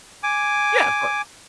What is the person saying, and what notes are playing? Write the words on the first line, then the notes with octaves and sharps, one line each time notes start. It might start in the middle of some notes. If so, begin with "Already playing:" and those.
Yeah, of course.
G#5 D6